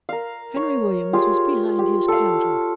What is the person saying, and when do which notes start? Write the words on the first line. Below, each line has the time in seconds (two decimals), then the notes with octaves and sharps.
Henry Williams was behind his counter.
0.09 A#4 F5
0.56 C#5
1.13 F4 G4 G#4
1.79 G4
2.08 A4 F5